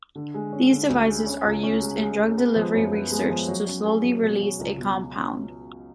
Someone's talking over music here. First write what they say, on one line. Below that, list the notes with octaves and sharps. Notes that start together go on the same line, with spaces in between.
These devices are used in drug delivery research to slowly release a compound.
D3
G#3
C#4
D3
D2
G#3
C#4
C#2
C#4
G#3
G#3
G#3
B3
F3
F#2
B3
G#3
F3
F#3
C#4
G#4
F#3
B2
F#3
C#2
B2